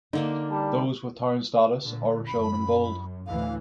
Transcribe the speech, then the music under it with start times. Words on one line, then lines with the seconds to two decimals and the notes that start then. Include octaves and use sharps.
Those with town status are shown in bold.
0.13 D3 A#3 D4 D#4
0.51 G3 A5
1.81 A#2 D3
2.27 F#2 B5
3.26 D2 A2 E3 F5